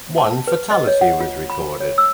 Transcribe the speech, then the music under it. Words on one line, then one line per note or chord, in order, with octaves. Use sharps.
One fatality was recorded.
A5
B4
D#5
C#5
F#5
F4
B5
C#5
E6